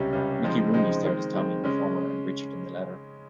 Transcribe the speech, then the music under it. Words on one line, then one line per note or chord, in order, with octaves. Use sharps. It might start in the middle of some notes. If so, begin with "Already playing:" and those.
Mickey Rooney starred as Tommy in the former and Richard in the latter.
Already playing: C#2 C3 G3 C#4
C#2 C3 G3 C#4
C#3 F3 G#3 C4 D#4
C#3 F3 G#3 C4 D#4
D#3 G#3 C4
D#3 G#3 C4
C#3 G#3 C#4